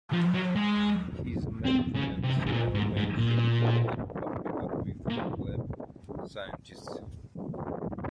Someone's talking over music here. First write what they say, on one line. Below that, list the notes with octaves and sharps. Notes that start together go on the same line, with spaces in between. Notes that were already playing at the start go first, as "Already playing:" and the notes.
His management style made him unpopular with lab scientists.
F3
F#3
G#3
C4
C#3
C3
G#2
A#2
G#2
G#2
A#2
A#2